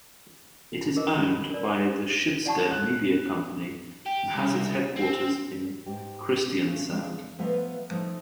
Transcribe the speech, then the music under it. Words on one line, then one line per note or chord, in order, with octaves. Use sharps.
It is owned by the Schibsted media company and has its headquarters in Kristiansand.
G#4 A#4 D#5
B5
A#4 D5
C5
D5 F#5 A5 C#6
F#6
G4
C2
C4
G#2 G4
C#3 A3
C#3 G#3 D4
F5
F3 A3 B3 B4 D#5 F5
F3 A3 D#4